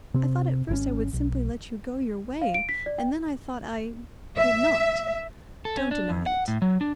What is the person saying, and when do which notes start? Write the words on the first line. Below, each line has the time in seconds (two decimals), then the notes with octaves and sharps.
I thought at first I would simply let you go your way, and then I thought I--would not. Don't deny it.
0.14 C3 C4
0.69 G#1 D3 C#4
1.13 B1
2.41 F5
2.54 D7
2.69 B6
2.86 D5
2.98 G5
4.38 E5
5.65 A4
5.77 C#4
5.91 D4
6.10 F2
6.26 F#5
6.48 A2
6.62 F#3
6.81 D4